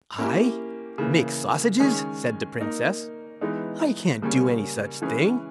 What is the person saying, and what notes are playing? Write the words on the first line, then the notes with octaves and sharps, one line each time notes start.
'I make sausages!' said the Princess; 'I can't do any such thing.
A#3 C#4 E4 G4
C#3 E3 A#3
D#3 G#3 C#4 G#4
A#3 D#4 A#4
E3 G#3 B3 D#4
C#3 G3 A#3 C#4
E3 G#3 C#4 G#4 B4